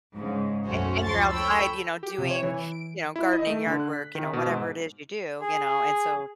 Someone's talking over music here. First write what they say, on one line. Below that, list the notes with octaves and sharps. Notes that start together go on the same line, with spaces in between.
And and you're outside, you know, doing, you know, gardening, yard work, you know, whatever it is you do, you know, and so,
G#2 C#3
B1 F#2 A3 C#4 F#4 C5
D2 F3 C6 C#6 A6
A4 C#5 G5 B5 E6
G4
C3
C#5
E3
D7
E4
D#5
A3
D3
F#6
B6
D#3
B2
G#2
G#4